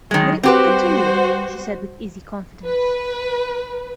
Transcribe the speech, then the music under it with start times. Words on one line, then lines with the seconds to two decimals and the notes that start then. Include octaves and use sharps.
But it won't continue, she said with easy confidence.
0.11 D#3 F#3 G#3
0.43 G3 C4 F#4 G4 B4 C5
2.66 B4